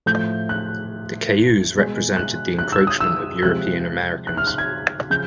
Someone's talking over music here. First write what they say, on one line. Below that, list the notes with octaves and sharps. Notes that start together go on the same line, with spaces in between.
The Cayuse resented the encroachment of European Americans.
A2 F3 A3 G6
F#6
B2 G#3
F#6
F#6
E6
D#6
E6
C3 F3 G#3 F#6
F#6
F6
F#6
G#6
C#3 F3 G6